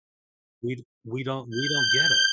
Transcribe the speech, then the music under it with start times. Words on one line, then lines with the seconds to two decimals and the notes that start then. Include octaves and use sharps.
we d we don't we don't get it.
1.50 G6